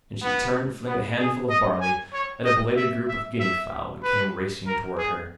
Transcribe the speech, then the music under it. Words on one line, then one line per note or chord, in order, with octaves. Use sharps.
And she turned to fling a handful of barley at a belated group of guinea-fowl that came racing toward her.
B3
B3
G#4
D#5
G#5
C#5
D#5
E5
E5
E5
B4
A#4
G#4